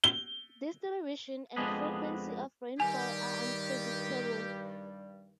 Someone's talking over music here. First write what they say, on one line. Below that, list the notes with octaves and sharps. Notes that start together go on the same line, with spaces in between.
Distribution and frequency of rainfall are unpredictable.
G7
F2 G#3 B3 D4 G#4 B4
G2 D#3 G3 G4 G#5